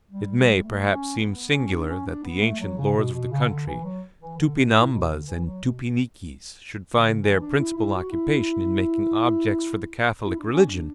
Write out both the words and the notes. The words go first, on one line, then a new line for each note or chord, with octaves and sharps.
It may, perhaps, seem singular that the ancient lords of the country, Tupinambas and Tupiniquis, should find their principal occupation in making objects for the Catholic religion.
G3
G3
A3
C#4
B3
B3
C#4
C#4
D4
C#4
D4
B3
A3
F#3
C#3
B2
B2
C#3
D3
E3
F#3
E3
D3
B2
A2
B2
D3
E3
F#3
B2
D3
C#3
E3
D4
E4
E4
F#4
E4
E4
D4
C#4
D4